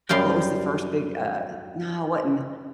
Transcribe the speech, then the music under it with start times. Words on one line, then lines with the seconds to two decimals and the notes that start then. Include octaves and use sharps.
what was the first big, uh no, it wasn't
0.09 F#2 G3 F5 G5